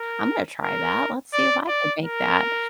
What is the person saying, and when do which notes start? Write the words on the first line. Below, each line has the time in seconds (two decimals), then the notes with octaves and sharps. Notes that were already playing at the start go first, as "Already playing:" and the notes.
I'm gonna try that, let's see if I can make that,"
Already playing: A#4
0.63 A#4
1.33 D5
1.69 D5
2.05 A#4